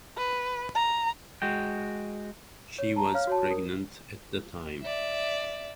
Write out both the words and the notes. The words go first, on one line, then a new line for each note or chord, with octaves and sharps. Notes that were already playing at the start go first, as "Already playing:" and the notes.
She was pregnant at the time.
B4
A#5
G#3 F#4 G5
C#5
A5 A#5
C#5 F5 F6
F#4 C#5 A5
A#4
D5 E5